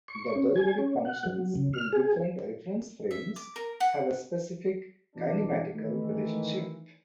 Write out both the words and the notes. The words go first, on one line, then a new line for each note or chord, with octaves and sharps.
The derivative functions in different reference frames have a specific kinematical relationship.
C#6
C#4
G#5
C#4
F#5
F#3
C#3
F6
G#4
E5
D6
A#4
F#5
B2 E3 D4
D#3 E3 A3